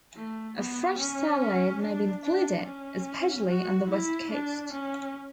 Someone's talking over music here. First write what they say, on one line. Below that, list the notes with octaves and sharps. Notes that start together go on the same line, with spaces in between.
A fresh salad may be included, especially on the West Coast.
A3
B3
C#4
D4
D4
C#4
F#4
E4
D4
C#4